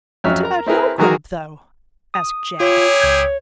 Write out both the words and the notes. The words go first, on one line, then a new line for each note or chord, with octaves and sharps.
'What about your grub, though?' asked Jane.
F2 F#3 C#4 E5 F6
A#4 A#5
C4 E4 G#4 A#4 B4
D#3 E3 F#3 F#4 G#4 A#4
D#6
E4 F4 G4 G#4 C#5
C#2 G6 G#6